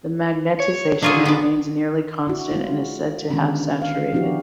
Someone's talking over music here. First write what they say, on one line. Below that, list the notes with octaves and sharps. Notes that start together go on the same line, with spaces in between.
The magnetisation remains nearly constant, and is said to have saturated.
C#5
D3 F#3 D4 F4 G#4
B3 D5
E4 F#4
G#3 E4 F4
D3 D#3 G#3 B3 C#4 D4
F5
F3 B3 D4 E4 F#4 G4